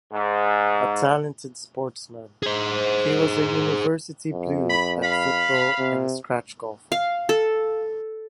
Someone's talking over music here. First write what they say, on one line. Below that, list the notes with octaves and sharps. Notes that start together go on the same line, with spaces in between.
A talented sportsman, he was a University blue at football and a scratch golfer.
G#2
G#4 C5
F2
B5
F5 B5
C3
F5
A4